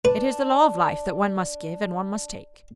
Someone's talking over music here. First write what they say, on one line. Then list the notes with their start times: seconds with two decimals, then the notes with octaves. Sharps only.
It is the law of life that one must give, and one must take.
0.05 D4 B4